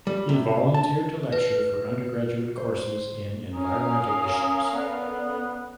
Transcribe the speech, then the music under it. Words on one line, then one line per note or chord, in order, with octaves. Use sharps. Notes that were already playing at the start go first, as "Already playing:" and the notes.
He volunteered to lecture for undergraduate courses in environmental issues.
G3
C3
A5
B4
C5
C#4 A#4 F5 G#5 A#5 D#6
B3 A4 D5